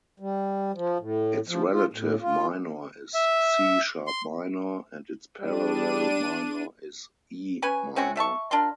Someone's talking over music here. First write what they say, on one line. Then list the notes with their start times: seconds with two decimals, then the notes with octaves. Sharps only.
Its relative minor is C-sharp minor, and its parallel minor is E minor.
0.20 G3
0.74 F3
0.99 A2
1.48 F3
1.72 F4
1.93 A2
2.21 F4
3.14 E5
4.07 C6
5.40 G3 D4 D#7
7.62 C#4 B4 G#5
7.96 C4 C#4 E4 F#4
8.16 A3 E5 A5 C#6
8.51 D4 F4 A#4 C6